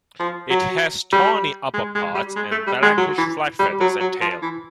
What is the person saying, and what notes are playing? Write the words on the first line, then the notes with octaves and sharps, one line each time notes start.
It has tawny upperparts and blackish flight feathers and tail.
F3
F#3
G3
G#3
G#3
G3
G#3
A3
G3
G#3
F#3
E3
G3
F#3
F#3
F3
E3